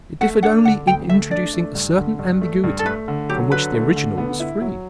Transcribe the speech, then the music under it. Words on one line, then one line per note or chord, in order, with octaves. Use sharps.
It differed only in introducing a certain ambiguity from which the original was free.
A3 F#5
D4 F#5
D3 F#5
D2 G5
A3 E5
D4 D5
A3
G2
D3
G2
A3
G2
A4
A3 B4
D3
F#3 G4
D3 B4
A3
D3
B3
E4
F#3